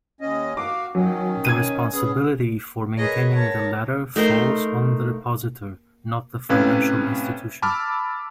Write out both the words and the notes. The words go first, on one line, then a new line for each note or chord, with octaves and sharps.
The responsibility for maintaining the ladder falls on the depositor, not the financial institution.
D#2 C#4 D#5
F#4 F5 D6
D#3 F#3 C#4
G#6 D#7
B3 C#4 G#4
G#4 A#4 B4 C#5 D#5
A#4 C#5 F#5 A5
A3 D#4 A#4 C5
A2 C3 C#4 B4 F5 G#6
A5 B5 D6 E6 F6